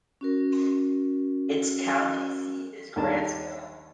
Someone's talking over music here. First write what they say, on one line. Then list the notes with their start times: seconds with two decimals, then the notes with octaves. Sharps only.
Its county seat is Grantsville.
0.21 C#4 F#4 A#4
2.96 D#2 G3 D4 D#4 A#4 A5